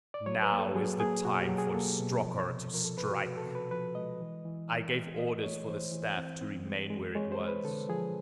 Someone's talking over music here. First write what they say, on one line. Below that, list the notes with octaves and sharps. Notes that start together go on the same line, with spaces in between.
"Now is the time for Strokor to strike!" I gave orders for the staff to remain where it was.
D5
F#3 C#5
B4
A#3
A4
F#3 G#4
A#3 G#4
B2 F#4
G4
F#3
G#4
A#3 A4
B2
F3
C3
F3 A#4
A4
C3 B4
F#4
C3
A4
C3
B4
F3 B4
G#3 D#5
E3
E3
E3
E3
E3 D#5
A3 C#5
E3 C5
E3
C4
C4
G#3
G#3
G#3 C#5
C5
G#3
B4
D3 A4
F3 G#4